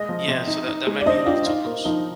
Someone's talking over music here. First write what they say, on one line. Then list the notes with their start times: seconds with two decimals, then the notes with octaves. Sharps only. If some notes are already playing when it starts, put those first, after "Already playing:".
Yeah. So, that that might be a little too close.
Already playing: G#3 D#5
0.09 F3
0.28 C3
0.47 D#4
0.68 D#4
0.87 G#3
1.01 D5
1.06 D3 C5 D#5
1.26 D4 F4 G4
1.46 D#4 F4
1.65 A#3
1.85 F3 D#4